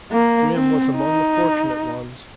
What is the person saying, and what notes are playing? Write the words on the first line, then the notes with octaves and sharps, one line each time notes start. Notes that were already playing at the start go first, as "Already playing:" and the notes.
Grim was among the fortunate ones.
A#3
C4
D#4